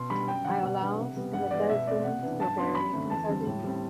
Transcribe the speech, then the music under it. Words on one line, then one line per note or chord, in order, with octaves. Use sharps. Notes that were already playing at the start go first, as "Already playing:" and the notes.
Iolaus and the Thespians were buried in Sardinia.
Already playing: B2 C6
G3 D4 B5
F#2 G5
D3 F#3 F#5
B2
G3 B3 D4
C3
G3 B3
G2 F#5
E3 G3 B3 D5
B2 E5
A3 C4 D5
C3 F#5
E3 B3 D4
G2 A5
E3 B3 D4 C6
F#2 B5
D3 A3 C4
E2 A5
D3 G3 C4
A2
G3 C4